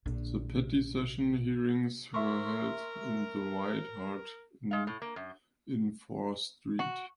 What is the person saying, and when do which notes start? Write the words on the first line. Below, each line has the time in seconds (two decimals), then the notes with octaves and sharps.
The petty session hearings were held in the White Hart Inn in Fore Street.
0.06 A#1 D3
2.14 A#4 E5 C6 C#6
4.71 G#3 F5
4.87 A2
5.02 A#3
5.16 F#2
6.79 F#4